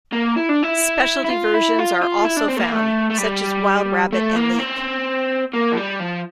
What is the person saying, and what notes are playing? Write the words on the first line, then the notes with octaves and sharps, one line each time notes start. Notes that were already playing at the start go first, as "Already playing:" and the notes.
Specialty versions are also found, such as wild rabbit and leek.
A#3
E4
D4
E4
E4
F4
E4
F4
F4
E4
D4
C4
A3
A#3
A3
A3
G3
A3
A#3
C4
A#3
F3
G3
F3